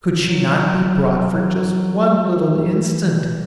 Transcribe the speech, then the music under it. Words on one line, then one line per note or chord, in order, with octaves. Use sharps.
Could she not be brought for just one little instant?
F#3
F#3
E3